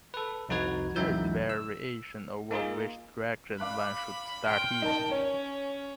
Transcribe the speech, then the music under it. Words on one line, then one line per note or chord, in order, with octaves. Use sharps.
There is variation over which direction one should start in.
A4 B4
C2 F2 D#4 F#4 B4 G#6
C#2 F#2 E3 D#4 E5 G6
E6
A#3 D#4 F4 G#4
F5 B5 D6 F#6
G5 C6 F6
D#4 A#4 A5
C#4 C#5